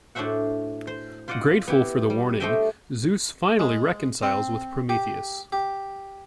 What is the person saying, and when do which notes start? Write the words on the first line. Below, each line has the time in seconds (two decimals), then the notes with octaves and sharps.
Grateful for the warning, Zeus finally reconciles with Prometheus.
0.15 A2 D4 F#4 C5 E5 F#5
0.87 C5
1.28 F4 C5 D5 D#5 F#5
1.68 B3 E4 G4
2.10 G3
2.40 A3 G4 C5 D#5 E5 G5
3.59 G#3
4.23 C4
4.89 G4
5.52 G4